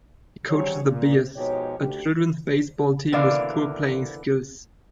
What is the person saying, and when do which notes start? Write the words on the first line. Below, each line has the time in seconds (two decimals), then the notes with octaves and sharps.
He coaches the Bears, a children's baseball team with poor playing skills.
0.49 G3 C4 D#4 F#4 G#4 C#5
0.83 A#2
1.36 B2 F3 G#3 D#4 G4 C#5
1.79 D2 G4
3.12 B2 D3 E3 A#3 D5 F5